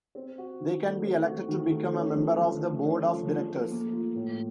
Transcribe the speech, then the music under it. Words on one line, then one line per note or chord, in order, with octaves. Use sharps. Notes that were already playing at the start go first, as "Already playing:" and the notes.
They can be elected to become a member of the Board of Directors.
C4
F#4
D#3
A3
C4
F#4
D#3
A3
C#4
F3
F3
A3
C#4
F3
F3
A3
A#3
F4
A2